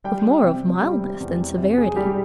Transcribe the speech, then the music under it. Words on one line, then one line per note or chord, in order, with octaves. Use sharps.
"With more of mildness than severity."
G3 G5
C3
G3
E2
C3
G#4
G3 G4